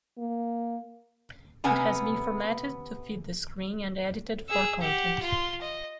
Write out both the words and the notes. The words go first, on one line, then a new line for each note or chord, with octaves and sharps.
It has been formatted to fit this screen and edited for content.
A#3
C3 B3 C#4 G#5 A#5
G#4 E6
G4 F#5
F4 C6
D#5